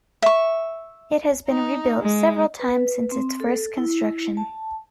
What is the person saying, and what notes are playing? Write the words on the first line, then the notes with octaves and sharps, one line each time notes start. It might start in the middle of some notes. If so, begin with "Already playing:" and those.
It has been rebuilt several times since its first construction.
E5 C#6
D#4
G#3
B4
C4
A4
E4
A5